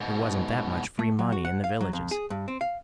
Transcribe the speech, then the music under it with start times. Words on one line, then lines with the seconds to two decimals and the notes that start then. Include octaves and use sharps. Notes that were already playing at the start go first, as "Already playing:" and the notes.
There wasn't that much free money in the villages.
0.01 G#2 B2
0.99 A3
1.19 F#3
1.32 F#4
1.45 F#5
1.64 F5
1.81 F#3
1.93 F2
2.11 G#4
2.30 G2
2.48 C4
2.61 F5